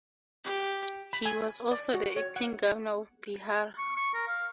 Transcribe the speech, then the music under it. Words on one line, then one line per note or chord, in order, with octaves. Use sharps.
He was also the acting Governor of Bihar.
G4
B5
G#5
D5
F#4
C#5
F#5
C#6
C#6
A#4
F5